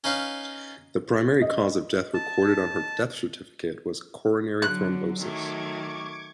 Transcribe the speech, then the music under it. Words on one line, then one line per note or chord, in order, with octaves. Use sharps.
The primary cause of death recorded on her death certificate was coronary thrombosis.
C#4 D#4 B4 F5 C#6
D#5
A5
D3 F#3 F#6
D#3 F#3 A3 C#6 D6 G#6